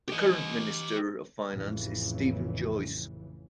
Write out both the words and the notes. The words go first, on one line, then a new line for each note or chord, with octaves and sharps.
The current Minister of Finance is Steven Joyce.
G4 D#5
A1 F2 C#3 E3